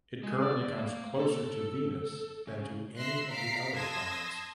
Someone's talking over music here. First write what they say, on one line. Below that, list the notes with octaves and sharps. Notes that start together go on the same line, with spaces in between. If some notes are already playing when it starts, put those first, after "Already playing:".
It currently comes closer to Venus than to any of the other planets.
G#3
D5
A#3
A4
C#3
E5 C6 E6 F#6 A#6 C7
F5 A#5 B6 C7 D7
A5 C6 D#6 E6 G#6 A#6